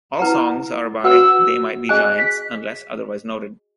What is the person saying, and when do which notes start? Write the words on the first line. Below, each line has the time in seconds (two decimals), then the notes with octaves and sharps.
All songs are by They Might Be Giants unless otherwise noted.
0.19 E4 B4 F#5 A#5
1.04 F#4 B4 F#5 E6
1.89 G#4 D#5 G#5 F#6
2.18 B6